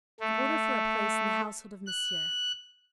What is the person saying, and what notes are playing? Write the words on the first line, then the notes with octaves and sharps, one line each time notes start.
"An order for a place in the household of Monsieur."
A3
F#6